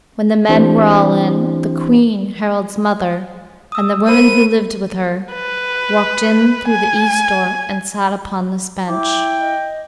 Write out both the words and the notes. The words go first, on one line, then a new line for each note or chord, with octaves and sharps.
When the men were all in, the queen, Harald's mother, and the women who lived with her, walked in through the east door and sat upon this bench.
E3 C4 D4 E4 G4 C5
D#6 E6
A#4 C5 B5 D#7
B4
G#5
E4 G5 D6
D#5